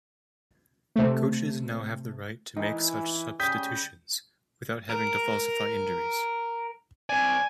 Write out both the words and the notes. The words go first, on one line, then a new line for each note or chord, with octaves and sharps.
Coaches now have the right to make such substitutions without having to falsify injuries.
C3 A3
E3 D#4
C#3 G3 D#6 G6 B6
A#4
C4 D5 G#5